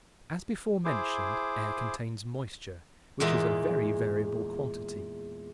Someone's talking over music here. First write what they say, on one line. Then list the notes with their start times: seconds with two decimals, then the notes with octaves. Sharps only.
As before mentioned, air contains moisture, which is a very variable quantity.
0.85 E4 G#4 C5 D6
3.20 E2 A#2 G#3 E5